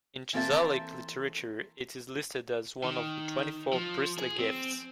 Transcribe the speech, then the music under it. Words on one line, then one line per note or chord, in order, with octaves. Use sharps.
In Chazalic literature it is listed as one of the twenty-four priestly gifts.
E3 A#3 C4 A4 E5
D#3
F3
G#4
C4